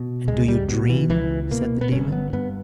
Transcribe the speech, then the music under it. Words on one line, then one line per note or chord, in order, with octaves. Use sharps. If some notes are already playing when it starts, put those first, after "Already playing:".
"And do you dream?" said the daemon.
Already playing: B2
C#2 G#3
G3
B2
E3
C#2 E3
B2 A#3
B3
G1 C#4
B3
G2 B3